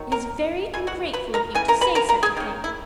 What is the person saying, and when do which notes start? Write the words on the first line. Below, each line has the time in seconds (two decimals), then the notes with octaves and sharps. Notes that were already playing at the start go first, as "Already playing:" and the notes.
"It is very ungrateful of you to say such a thing."
Already playing: D#3 F#3
0.12 A#4 A#5
0.74 C#3 E3 G#5
0.87 F#4 F#5
1.13 B4 B5
1.34 A#4 A#5
1.55 C#3 E3 G#5
1.68 A#4 A#5
1.81 B4 B5
1.95 A#4 A#5
2.09 A#4 A#5
2.23 G#4 G#5
2.37 D#3 A#3 C#4
2.64 E4